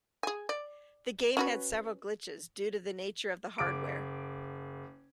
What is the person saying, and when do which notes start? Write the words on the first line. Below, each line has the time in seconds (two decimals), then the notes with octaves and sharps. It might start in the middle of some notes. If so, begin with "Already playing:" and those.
The game had several glitches, due to the nature of the hardware.
0.23 G#4 G#5
0.49 D5
1.37 C#4 F#4 B4
3.58 F#1 D6 D7